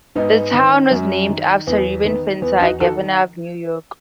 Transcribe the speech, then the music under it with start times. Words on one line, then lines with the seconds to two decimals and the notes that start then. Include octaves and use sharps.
The town was named after Reuben Fenton, a governor of New York.
0.15 G#2 B3 D#4
0.53 D#3
0.91 F#2
1.29 D#3
1.67 E2 B3
2.04 D#3 B3
2.42 E2 B3
2.61 D#4 F#4
2.80 D#3 F#4 A4